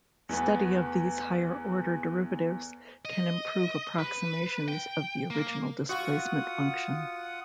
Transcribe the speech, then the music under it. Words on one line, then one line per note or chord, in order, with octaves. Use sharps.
Study of these higher order derivatives can improve approximations of the original displacement function.
E2 E3 A3 B3
D#5
B4
G5
A#3
F4 F#4 F#5 D#6